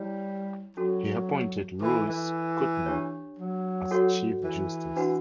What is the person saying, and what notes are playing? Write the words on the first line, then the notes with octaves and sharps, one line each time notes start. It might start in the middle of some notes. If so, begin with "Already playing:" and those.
He appointed Luis Kutner as Chief Justice.
Already playing: G3 E4 C#5
F#3 C#4 F#4 A4
E3 A4 E5 B5
E3
D4 G4 C#5
F#3
F#4 A4 C#5 F#5
E3
D4 F#4 B4 F#5